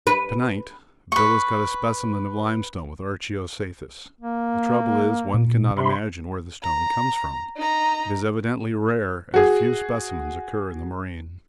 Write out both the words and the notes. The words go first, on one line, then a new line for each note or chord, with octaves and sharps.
To-night Bill has got a specimen of limestone with archeo-cyathus--the trouble is one cannot imagine where the stone comes from; it is evidently rare, as few specimens occur in the moraine.
B4
B4 C#6
A#3
A#2
C3 B5 C6
A#5
D#4 A#5
F#4 G#4